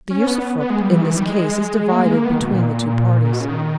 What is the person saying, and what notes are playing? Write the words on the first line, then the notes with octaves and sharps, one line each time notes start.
The usufruct in this case is divided between the two parties.
C#4
B3
B3
G#3
G3
E3
D#3
E3
G3
G#3
A#3
G#3
A#3
B3
D#3
B2
A#2
A#2
B2
C#3
D#3